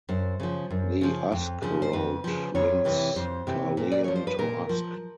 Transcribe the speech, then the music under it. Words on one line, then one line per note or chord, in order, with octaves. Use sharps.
The Usk Road links Caerleon to Usk.
F#2 C5
C#3 F3
F#2
C#3 F3
F2
C#3 F3
C5
F2 B4
C#3 F3
F2 C#5
C3 E3
F2 C5
C3 E3
A#2
D5
F3 C#5
C5
B4
A#2 A#4
F3